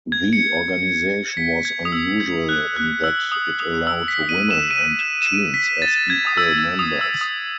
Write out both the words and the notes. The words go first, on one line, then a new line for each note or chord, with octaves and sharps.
The organization was unusual in that it allowed women and teens as equal members.
G#6
C#7
B6
G#6
D#6
E6
G#6
F#6
F#6
E6
D#6
D#6
E6
B6
D#7
E7
D#7
E7
E7
D#7
B6
A6
G#6
D#6
E6
E6
D#6
E6
D#6